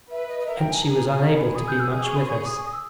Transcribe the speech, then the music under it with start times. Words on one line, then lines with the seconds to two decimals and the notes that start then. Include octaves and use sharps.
Hence she was unable to be much with us.
0.11 B4 E5
0.29 D#5
0.40 D#5
0.47 A#4 E5
0.59 G5
0.72 G#5
0.83 G#4 A#5
1.11 G#5
1.20 A#5
1.37 B5
1.55 G#4 D#6
1.68 G6
1.80 E6
1.91 G#4 D#6
2.04 C#6
2.16 B5
2.27 C#6
2.46 D#6
2.65 D#6
2.73 E6